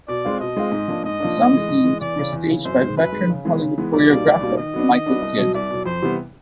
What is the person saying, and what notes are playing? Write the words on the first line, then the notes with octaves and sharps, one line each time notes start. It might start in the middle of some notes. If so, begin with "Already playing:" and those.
Some scenes were staged by veteran Hollywood choreographer Michael Kidd.
B2 D5
G#3 C4 F4
B2 D#5
G#3 C4 F4
G#2
F3 A#3 D4
G#2 D#5
F3 A#3 D4
G#2
E3 G#3
G#2
E3 G#3
E2 D5
C#3 E3
E2
C#3 E3
F#2 C5
D#3 G#3
F#2 B4
D#3 G#3
C#3
E3 G#3 B3
C#3
E3 G#3 B3
C#2 D5
B2 G3 A#3 D#4
C#2
B2 G3 A#3 D#4
D#3 D#5
F#3 B3 D4
D#3
F#3 B3 D4
C2
B2 F#3
C2 D5
B2 F#3
F2 C5
C3 E3 G3 B3